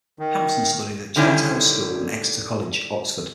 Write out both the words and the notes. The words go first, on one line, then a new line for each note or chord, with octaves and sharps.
Hampson studied at Charterhouse School and Exeter College, Oxford.
D#3
D3 D#3 G3 C#4 E4